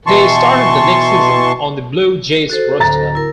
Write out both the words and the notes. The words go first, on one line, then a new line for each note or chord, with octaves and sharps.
He started the next season on the Blue Jays' roster.
B2 E3 A5 C6 C#6
F#4 A4 C5
D1 A#5 A6
E4 A#4